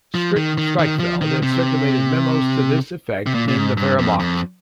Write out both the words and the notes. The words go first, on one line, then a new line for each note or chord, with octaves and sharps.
Strik-Strikfeldt had circulated memos to this effect in the Wehrmacht.
F3
D#3
D#3
D#3
F3
D#3
C3
C3
A#2
A#2
G#2
G2
F2
F2